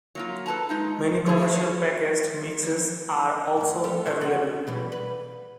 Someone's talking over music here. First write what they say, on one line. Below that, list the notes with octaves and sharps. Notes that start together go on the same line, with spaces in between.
Many commercial packaged mixes are also available.
F#3 A#3 F4
A4 B4 A5 A#5
G#3 D#4 F4
D3 A3 E4 G#4
G#4 B4 C#5
D2 G2
F4 G4 A4
D3 C#4 C5
F#4
B2 E3 G3
B4